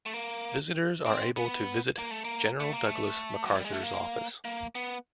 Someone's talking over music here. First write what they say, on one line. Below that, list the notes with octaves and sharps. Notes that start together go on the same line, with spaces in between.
Visitors are able to visit General Douglas MacArthur's office.
A3
A#3
C4
B3
A#3
A3
A#3
A3
A#3
A3
F#3
G3
G#3
A3
A#3
A#3
B3